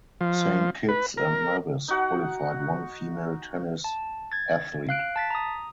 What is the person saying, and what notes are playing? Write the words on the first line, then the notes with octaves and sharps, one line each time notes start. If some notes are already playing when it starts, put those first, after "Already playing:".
Saint Kitts and Nevis qualified one female tennis athlete.
F3
B4
A#4
D#4 F#4 F#5
A5
G#6 A6
F5 F#6 D7
A5 A6 B6
A#5 D#6